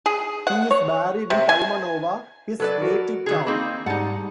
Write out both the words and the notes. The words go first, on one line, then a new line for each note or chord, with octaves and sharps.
He is buried in Palmanova, his native town.
G#4
F#5
C#5
C3
G#5
F#3 A4 B4 D5
F#4 A#4
D#3 E3 G#4
A#3 C4 D#4 B5
G#2 G3 D#4 F#5 A5